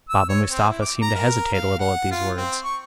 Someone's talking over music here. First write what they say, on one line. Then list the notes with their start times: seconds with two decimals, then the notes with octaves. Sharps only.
Baba Mustapha seemed to hesitate a little at these words.
0.09 E6
0.29 C#5
0.49 C4
0.69 E4
0.81 D6
1.01 A#5
1.15 A#4
1.53 F5
1.79 F#5
2.11 F4
2.37 C4
2.64 C#6